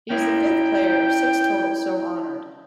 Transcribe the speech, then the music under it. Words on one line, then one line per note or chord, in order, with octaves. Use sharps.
He is the fifth player of six total so honored.
C#4 E4 G5